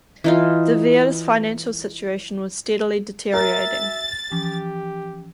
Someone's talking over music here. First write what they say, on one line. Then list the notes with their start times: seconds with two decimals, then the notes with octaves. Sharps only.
De Vere's financial situation was steadily deteriorating.
0.24 E3 D#4 F4
3.34 F#4 A#4 E5 G#5 A6
4.32 E3 F3 C#4 G4